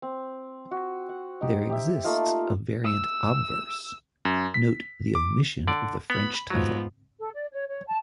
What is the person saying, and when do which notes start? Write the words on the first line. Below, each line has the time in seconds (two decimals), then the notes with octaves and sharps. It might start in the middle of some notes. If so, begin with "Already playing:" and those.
There exists a variant obverse: - note the omission of the French title.
0.02 C4
0.71 F#4
1.09 F#5
1.41 D#4 G4
1.70 G4 E5
2.04 A3 A#3 D#4 F4
2.84 E6
4.25 F#2
4.54 B6
5.15 D6
5.67 D3 D5
6.10 B3 B5
6.50 G#2 F3 F#3 B3
7.20 A4
7.34 D5
7.52 C#5
7.68 C#5
7.87 A5